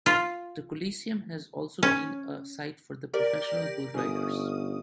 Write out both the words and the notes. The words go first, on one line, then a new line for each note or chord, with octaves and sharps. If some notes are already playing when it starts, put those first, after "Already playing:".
The Coliseum has also been a site for the Professional Bull Riders.
F4
C#4
G4 A#4 D5
G1 C#4 D#6